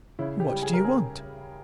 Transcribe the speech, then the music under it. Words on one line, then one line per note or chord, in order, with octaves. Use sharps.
"What do you want?"
C#3 E4
G4
G3
G#4
A#4
C#3 G#4